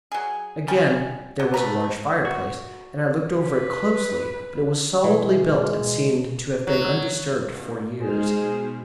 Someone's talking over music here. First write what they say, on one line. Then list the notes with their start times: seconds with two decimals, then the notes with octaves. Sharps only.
Again there was a large fireplace, and I looked over it closely; but it was solidly built and seemed to have been undisturbed for years.
0.12 F#3 G#4
0.68 F3 G3 C#4
1.40 F#3
1.54 A3 B4 A#5
2.25 F#4
3.42 B4
5.04 B2 E3 G#3
6.67 F#3
7.48 G2 B2
8.01 G#3 D#4 G#4 C5 F6
8.38 B2